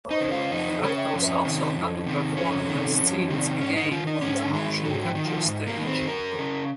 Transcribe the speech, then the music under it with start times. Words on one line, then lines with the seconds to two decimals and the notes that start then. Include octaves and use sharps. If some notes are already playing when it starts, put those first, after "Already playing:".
The actors also had to perform their scenes again on the motion capture stage.
0.11 D#4
0.21 C#3
0.31 F4
0.52 F2 D#4
0.82 C#3 C#4
1.14 F2
1.45 C3 D#3
1.76 F2
2.06 C3 D#3
2.37 F2 C#4
2.67 C3 D#3
2.99 F2
3.30 C3 D#3
3.60 G#2 C#4
3.76 D#4
3.91 D#3 F4
4.07 D#4
4.22 G#2 C#4
4.53 D#3 G#3
4.85 G#2 F#3
5.05 F3
5.15 D#3
5.25 F3
5.46 G#2
5.67 A#3
5.77 D#3
5.87 C4
6.08 F#2 A#4
6.39 C#3